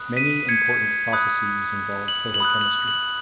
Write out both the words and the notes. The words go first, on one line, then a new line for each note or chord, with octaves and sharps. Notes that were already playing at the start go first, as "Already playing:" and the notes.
Many important processes involve photochemistry.
Already playing: B5 D#6 F#6
B6 D#7
G#6 C#7
B5 D#6 F#6
F#7
F#7
B5 D#6 F#6
F#7
F#7